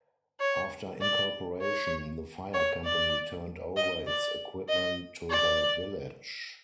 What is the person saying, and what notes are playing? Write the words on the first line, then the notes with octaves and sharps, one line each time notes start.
After incorporation, the fire company turned over its equipment to the village.
C#5
D5
C#5
C#5
D5
D#5
D5
D#5
D5